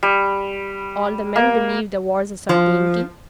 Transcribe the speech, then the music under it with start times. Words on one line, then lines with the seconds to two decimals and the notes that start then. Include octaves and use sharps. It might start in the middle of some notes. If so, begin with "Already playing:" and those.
All the men believe the war's a certainty.'
0.03 G3
1.36 A#3
2.49 F3